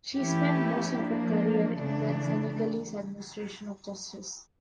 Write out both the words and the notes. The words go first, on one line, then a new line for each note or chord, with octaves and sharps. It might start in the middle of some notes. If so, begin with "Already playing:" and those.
She spent most of her career in the Senegalese administration of justice.
E3 A3 C#4 E4 G4
F3 A#3 D4
C#3 E3 A3 D4